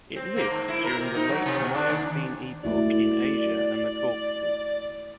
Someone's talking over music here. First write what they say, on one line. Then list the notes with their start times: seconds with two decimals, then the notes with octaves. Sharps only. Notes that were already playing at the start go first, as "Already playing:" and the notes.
It lived during the late Miocene Epoch in Asia and the Caucasus.
0.16 C4
0.36 A#3
0.50 G#2
0.68 E4
0.84 A#4
0.99 C3
1.15 D#4
1.29 F#3
1.46 C3
1.59 B2
1.75 D4
1.89 D#2
2.64 A3 E4 F#4 D5